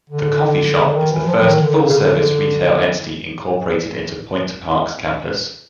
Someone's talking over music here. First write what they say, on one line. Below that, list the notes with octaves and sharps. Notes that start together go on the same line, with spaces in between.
The coffee shop is the first full-service retail entity incorporated into Point Park's campus.
D3
D3
D#3
E3
F3
D#3
D3
C#3
D3